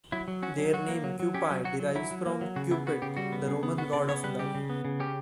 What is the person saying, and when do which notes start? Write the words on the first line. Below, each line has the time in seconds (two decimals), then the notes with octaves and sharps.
Their name, "Kewpie", derives from Cupid, the Roman god of love.
0.12 F#3 E4
0.28 F#3
0.43 C#4 F#4
0.58 F#3
0.73 F#3 F#4
0.89 A#3
1.04 F#3
1.20 F#3
1.34 C#4 G4
1.50 F#3
1.65 F#3 F#4
1.80 F#3
1.95 F#3 E4
2.11 F#3
2.26 A#3
2.41 F#3
2.56 C#3 F#4
2.71 B3 E4
2.87 B3 F#4
3.02 C#3 G4
3.17 G3 F#4
3.32 B3
3.48 C#3
3.63 B3
3.78 B3 F#4
3.93 C#3 D5
4.09 B3 C#5
4.24 G3 B4
4.39 C#3 G4
4.55 C#3
4.70 B3
4.85 C#3
5.00 C#4 G4